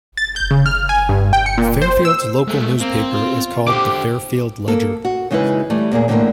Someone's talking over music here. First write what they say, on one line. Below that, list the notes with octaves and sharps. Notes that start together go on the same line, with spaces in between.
Fairfield's local newspaper is called the Fairfield Ledger.
A6
G6
C#3
F6
G#5
G2
G5
C#7
A#2
C5
E6
G#3 A3
A#3 C4
F4
D3 G4 C5 D6
A#3 A4
F#4
C#3 E3 G#3 D#4 E4 B4
E3 G3 A3
E2 A#2 A#3 G#4
A2 D3 E3 F3 A3 A#3